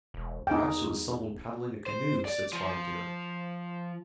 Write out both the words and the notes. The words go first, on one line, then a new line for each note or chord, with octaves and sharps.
"Perhaps it was some one paddling a canoe," said Spotted Deer.
E1
E2 D#4 G5
C5
D5
F3